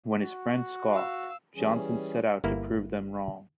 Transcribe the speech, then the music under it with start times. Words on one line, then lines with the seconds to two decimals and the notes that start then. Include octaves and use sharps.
When his friends scoffed, Johnson set out to prove them wrong.
0.23 F#4
0.91 F5 E6
1.56 E3 G3 C#4 G#4
2.44 G1 A#3 E4